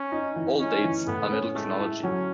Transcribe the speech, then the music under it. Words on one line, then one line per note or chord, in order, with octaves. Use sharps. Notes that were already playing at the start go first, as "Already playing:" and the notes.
All dates are middle chronology.
Already playing: C#4
D#4
E3
C#4 D#4
E3
A2 B3
C#4
G#3 A3
E4
F#3 C#4